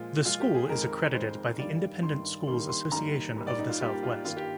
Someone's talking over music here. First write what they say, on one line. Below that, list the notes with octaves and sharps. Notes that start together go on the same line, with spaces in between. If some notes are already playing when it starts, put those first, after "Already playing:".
The school is accredited by the Independent Schools Association of the Southwest.
Already playing: A#2 F3 G#3 F4
A#2 F3 G#3 F4
G4
G#4
F2 D#3 G#3 A#4
F2 D#3 G#3 C5
G2 D#3 G3 D5
G2 D#3 G3 C6
G2 D#3 G3 A#3 C6
C6
G2 D#3 G3 A#3 A#5
G#2 G3 A#3
D5
D#4
F4
G#2 G3 A#3 G4
F4
G2 D#3 A#3 F4
G4